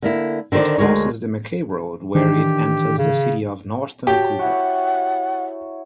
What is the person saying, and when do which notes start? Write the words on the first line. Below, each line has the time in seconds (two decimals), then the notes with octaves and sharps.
It crosses Mackay Road where it enters the City of North Vancouver.
0.02 D3 A#3 E4
0.52 D3 D#3 F#4 C5 D5
0.78 D2 A#2 G#3 A#4 C#5
2.15 D#3 E3 D4 G4
2.98 C#3
4.07 F#4 G4 C#5 F#5 A5
4.39 E4 F#4 F#5